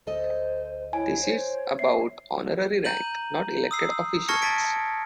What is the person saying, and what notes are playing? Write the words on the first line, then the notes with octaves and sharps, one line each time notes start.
This is about honorary rank, not elected officials.
D2 A4 C5 D#5
E4 C#5 G#5
C5 C#5
E5 C7
A#5 G6 D#7 F#7
D#6 E6 C7
A5 C#6 F6 G#6 A#6 C#7
A5 A6 B6 D7